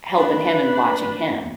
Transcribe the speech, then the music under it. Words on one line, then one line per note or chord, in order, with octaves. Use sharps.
helping him and watching him.
D4 B4 B5